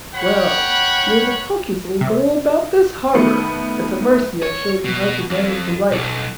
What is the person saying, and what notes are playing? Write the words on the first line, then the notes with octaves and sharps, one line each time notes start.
Well, you are the pluckiest little girl about this harbour! It's a mercy I've showed you how to manage the light.
C#5 F#5 G5 B5
C3
D#3 A3 B3
C#5
B2
F2
B1